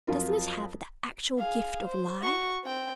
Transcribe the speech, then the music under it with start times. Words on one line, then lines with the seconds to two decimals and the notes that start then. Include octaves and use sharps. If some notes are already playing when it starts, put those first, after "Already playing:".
Doesn't it have the actual gift of life?
0.07 F2 F#3 F4 A#4
1.38 G#4 F5
1.85 C5
2.22 F#4 C#6
2.64 C4 G5